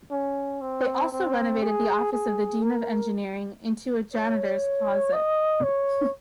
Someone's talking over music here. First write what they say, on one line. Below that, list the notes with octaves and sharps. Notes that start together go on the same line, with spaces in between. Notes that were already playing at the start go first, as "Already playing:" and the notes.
They also renovated the office of the dean of engineering into a janitor's closet.
C#4
C4
C4
G#4
G#4
A#4
C#5
D#5
C#5